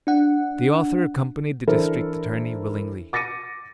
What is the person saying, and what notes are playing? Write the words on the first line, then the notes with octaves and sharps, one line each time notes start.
The author accompanied the district attorney willingly.
D4 F#5
E3 D4 E4 A4 A#4 C5
D6 A6 A#6 C#7 D#7